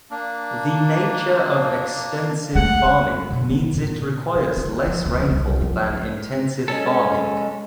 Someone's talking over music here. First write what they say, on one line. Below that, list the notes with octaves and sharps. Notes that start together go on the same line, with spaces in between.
The nature of extensive farming means it requires less rainfall than intensive farming.
A#3 D4
G#3 A3 F#5
B2
B3
A#2
E3
F4
F3
D1
C2
F3
G#3 C#4 A4